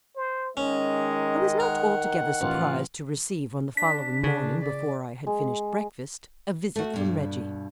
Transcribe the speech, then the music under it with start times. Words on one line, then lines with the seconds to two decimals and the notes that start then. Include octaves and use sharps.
I was not altogether surprised to receive, on the following morning before I had finished breakfast, a visit from Reggie.
0.16 C5
0.57 D#3 G#3 C#4 D#5
1.60 A#4 F#5
2.41 A1 F4
3.77 D4 B6
4.23 C#3 D4
4.63 D5
5.27 G#3
6.76 A3 F#4
6.93 G2 B2